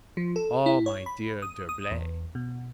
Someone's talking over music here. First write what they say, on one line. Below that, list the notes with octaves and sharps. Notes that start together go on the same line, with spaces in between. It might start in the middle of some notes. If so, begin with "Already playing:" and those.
"Oh! my dear D'Herblay!"
F3
A4
E4
C#5
B5
D#6
D#6
E2
B2